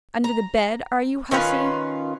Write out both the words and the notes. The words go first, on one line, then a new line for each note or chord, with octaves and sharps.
Under the bed, are you, hussy?
A#5
D#3 C#4 F4 B4